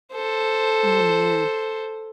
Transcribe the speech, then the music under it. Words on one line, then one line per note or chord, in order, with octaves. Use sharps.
Oh, man.
A4 C5